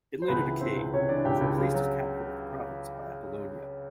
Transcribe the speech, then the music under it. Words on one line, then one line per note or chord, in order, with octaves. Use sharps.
It later decayed and was replaced as capital of the province by Apollonia.
C5
C#2 B3 B4
E3
C#2 C4 C5
C#2
C3 C#4 C#5
E3 D4 D5
C#2 G4 G5
C#2
C#3
F#3